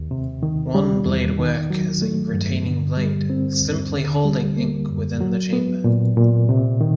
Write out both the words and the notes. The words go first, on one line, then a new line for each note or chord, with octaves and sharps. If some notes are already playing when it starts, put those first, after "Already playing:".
One blade work as a retaining blade, simply holding ink within the chamber.
Already playing: D#2
C3
D#3
G3
E2
D#3
F#3
A3
G2
D3
G3
C4
D#2
D3
G3
A#3
F#2
F#3
B3
A#2
A#2
C3
D#3